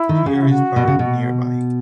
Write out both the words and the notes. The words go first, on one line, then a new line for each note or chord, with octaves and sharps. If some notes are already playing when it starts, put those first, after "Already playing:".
Heer is buried nearby.
Already playing: E4
D#3
C#3 G#4
F#4
E4
F#4
B2
C#3
B2